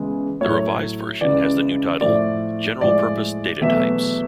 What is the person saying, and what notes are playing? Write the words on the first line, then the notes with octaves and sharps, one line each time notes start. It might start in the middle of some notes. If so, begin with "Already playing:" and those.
The revised version has the new title "General Purpose Datatypes".
Already playing: E2 C#3 G#3
A2 F#3 A3 C#5
C#2 C#3 E3 D5
A2 F3 A3 D5
A2 F3 G#3 D5
E2 B2 F#3 A3 E5